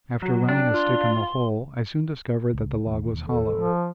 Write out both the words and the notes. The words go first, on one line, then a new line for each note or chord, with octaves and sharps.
After running a stick in the hole I soon discovered that the log was hollow.
F#3 F#4
D4 G5
F4 C6
C#2
E1 D#2
A4
F3